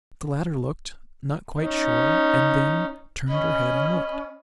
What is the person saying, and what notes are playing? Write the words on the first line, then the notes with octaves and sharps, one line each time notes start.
The latter looked, not quite sure, and then turned her head and looked.
C#4 D#4
C#4 D#5 B5